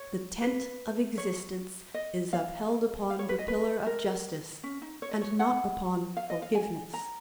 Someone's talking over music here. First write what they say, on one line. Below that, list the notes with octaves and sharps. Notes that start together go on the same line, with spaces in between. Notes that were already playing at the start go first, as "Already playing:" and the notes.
The tent of existence is upheld upon the pillar of justice and not upon forgiveness.
Already playing: C#5
B4
C#5
D#5
F5
F5
C#5
B4
D#5
B4
A#4
C#4
D#4
C#5
D#5
C#5
F#5
F5
D#5
F5
G#5
A#5